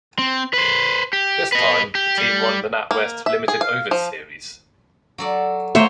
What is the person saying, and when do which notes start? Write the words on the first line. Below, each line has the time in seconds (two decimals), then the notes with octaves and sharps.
This time, the team won the NatWest limited overs series.
0.19 C4
0.53 B4 C5
1.13 G4
1.52 B4 D#5
1.95 G4
2.17 G3
2.91 A#3
3.26 E5
3.48 G#4
3.61 F5
3.91 F3
5.18 F#3 A4 D5
5.75 F#3 A3 A#3 C5 C#5 E5 G5